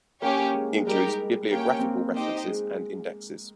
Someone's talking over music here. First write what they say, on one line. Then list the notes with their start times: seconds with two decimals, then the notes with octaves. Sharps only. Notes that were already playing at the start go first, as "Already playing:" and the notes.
Includes bibliographical references and indexes.
0.22 A#3 C#4 G4 C#5
0.39 A#3
0.54 G#3
0.78 G#3
0.87 G3 D#4 G4 A#4
1.03 G#3
1.51 A#3 C#4 G4 C#5 G5
1.79 C4
1.83 A#3
2.15 D#4 G4 C5 D#5 G5
2.47 G#3